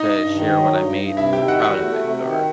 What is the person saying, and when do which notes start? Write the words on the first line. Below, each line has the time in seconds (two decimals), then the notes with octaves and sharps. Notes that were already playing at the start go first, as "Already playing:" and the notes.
to share what I've made, 'cause I'm proud of it, or
Already playing: D#4 D#5
0.13 G2
0.34 D#3
0.55 F#3
0.76 G2
0.97 G2
1.17 C3 E4 E5
1.33 D#3 G4 G5
1.48 F#4 F#5
1.58 E2
1.63 F#4 F#5
1.80 A3
2.01 C3
2.20 D#3